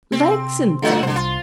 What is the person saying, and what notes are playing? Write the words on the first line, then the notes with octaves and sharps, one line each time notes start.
Legs and things!
C3 C4
A#2 D3 F#3 A3 F4 F#4
C2 D3 C5
F4